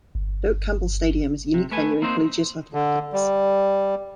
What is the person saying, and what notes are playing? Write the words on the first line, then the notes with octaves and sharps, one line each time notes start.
Doak Campbell Stadium is a unique venue in collegiate athletics.
G1
C3
A3 B4 G#5
A#3 C4 D#4 C5
D3
G3